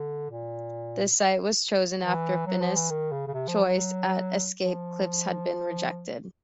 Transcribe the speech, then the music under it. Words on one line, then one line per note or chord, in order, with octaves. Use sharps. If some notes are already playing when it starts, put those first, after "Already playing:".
The site was chosen after Finniss's choice at Escape Cliffs had been rejected.
Already playing: D3
A#2
E3
F#3
F3
E3
D#3
C#3
C#3
C3
F3
F#3
F3